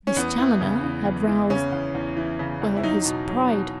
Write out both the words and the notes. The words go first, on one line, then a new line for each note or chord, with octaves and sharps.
Miss Challoner had roused--well, his pride.
C#4
E2 B3
E3
C#3
E2
E2
E3
C#3 C#4
E2
E2
E3
C#3
E2
E4
F#3 D#4
B2
F#3
B2